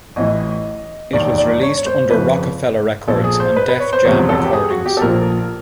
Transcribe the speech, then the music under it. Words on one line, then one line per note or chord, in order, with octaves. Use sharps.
It was released under Roc-A-Fella Records and Def Jam Recordings.
A1 A2 E3 D#5
E1 D#2 D#3 D5
D5
C#5
C#5
C5
G1 F2 C#3 F3 B4
A#1 A#2 F3 A4
G#4
C5
B4
B4
C#5
C5
E1 E2 C3 F3 C#5
A4
G4
G#4
F#4
G4
A4
A#1 A#2 F3 A#4